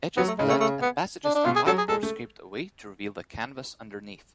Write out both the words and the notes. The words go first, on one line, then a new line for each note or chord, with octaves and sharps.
Edges blend and passages are wiped or scraped away to reveal the canvas underneath.
F#3 B3
A3
C#3 G#3
A3
A3
B3
D4
D4
B2 F4
G#4
F#3 A4
G#4
G#3 A4
A3